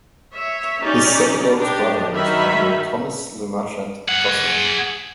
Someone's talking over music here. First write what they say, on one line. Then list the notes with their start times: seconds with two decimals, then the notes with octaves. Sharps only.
His second eldest brother was Admiral Thomas Le Marchant Gosselin.
0.31 C#5 E5
0.81 C#4 D#4 G4 D5
1.57 D4 G4 D#5
2.13 D#3 F#3 D#4 E5 B5
4.08 G#4 F#5